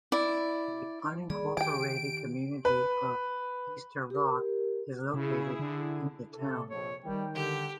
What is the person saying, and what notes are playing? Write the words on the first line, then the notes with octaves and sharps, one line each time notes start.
The unincorporated community of Easter Rock is located in the town.
E4 D5
D#3 G3 A#3 G#4 D5 B5
D#3 G4 G5 G#5 D7
B4
G4 A#4
C#3 E4 G#4
D3
C3 A4
A#1 F2 C#5
D#3 G3 G5
D3 G4